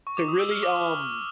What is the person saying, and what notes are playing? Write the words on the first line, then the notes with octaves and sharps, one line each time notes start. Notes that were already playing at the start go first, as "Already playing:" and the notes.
to really, um,
C#6
D6
D#6
E6
F6
D6